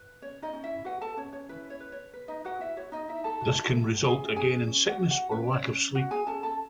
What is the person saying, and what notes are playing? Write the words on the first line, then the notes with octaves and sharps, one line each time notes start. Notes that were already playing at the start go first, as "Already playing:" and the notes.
This can result, again, in sickness or lack of sleep.
Already playing: B4
C#4 C#5
D#4 D#5
C#4
E4 E5
F#4 B4 F#5
A4 A5
C#4 C#5
C#5
E4 B4
C#5
B4
C#5
B4
D#4 D#5
F#4 B4 F#5
E4 E5
F#4 C#5
D#4 D#5
D#4 E4 E5
A4 A5
F#4
A4
C#4 G#4 G#5
C#4 G#4 G#5
C#4
F#4 F#5
C#4
F#4 F#5
C#4 B4
C#5
C#4
C#4 F#4 F#5
G#4 G#5
C#4 A4 A5
A4 A5